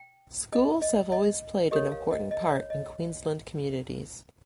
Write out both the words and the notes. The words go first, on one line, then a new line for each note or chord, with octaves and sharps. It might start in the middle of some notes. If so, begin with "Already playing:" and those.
Schools have always played an important part in Queensland communities.
Already playing: G5
D#5
D#5
D#5
G4 A#4 C#5 D#5
F5
D#5
D#5
C#5
D#5